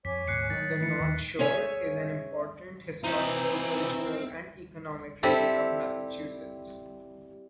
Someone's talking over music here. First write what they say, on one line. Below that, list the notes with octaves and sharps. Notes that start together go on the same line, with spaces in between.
The North Shore is an important historical, cultural, and economic region of Massachusetts.
F2 C#5 G#5 D6 B6
D2 G#2 B2 F#6 C7 C#7
A2 D#3 F#3 D#4 C#5 A6
E3 A3 E4 B4 A#5 A6 C#7
D#2 A2 D#3 F#3
C#4 G#4 C#5 E5 G#5
E3 C4 D#4 E4 B4 A#5
G3 C4 E4 G4 A4